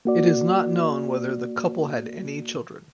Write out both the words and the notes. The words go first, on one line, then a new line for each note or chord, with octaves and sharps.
It is not known whether the couple had any children.
A#3 F#4 D5